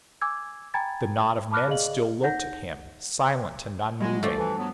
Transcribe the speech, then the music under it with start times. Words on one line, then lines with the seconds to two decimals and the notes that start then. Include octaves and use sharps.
The knot of men still looked at him, silent and unmoving.
0.21 G#5 D6 E6 G#6
0.74 G5 G#5 A#5 B5 G#6 A6
1.51 A5 B5 D6 F6 F#6 A#6
1.68 G#4 D5 D#5 F5 F#7
2.23 D#4 F#5 G6 A#6
4.01 G2 F#3 G#3 F#4 G#5
4.23 F3 A3 D5
4.38 E3 A4
4.58 F#3 B3